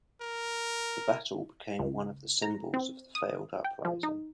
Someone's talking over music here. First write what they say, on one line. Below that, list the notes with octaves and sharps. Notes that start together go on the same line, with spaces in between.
The battle became one of the symbols of the failed uprising.
A#4
C#2
A#5
C4
D#6
G5
F3
D#4